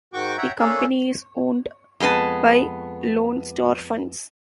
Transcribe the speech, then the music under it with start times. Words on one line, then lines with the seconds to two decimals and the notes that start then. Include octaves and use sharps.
The company is owned by Lone Star Funds.
0.14 G#2 D#3 F#4 G5 C#6 D6
0.38 C#5 E5 F#5 G5 A#5
0.59 A3 A#3 C#4 D4 G#4 A4
2.00 F2 G#3 B3 B4 A5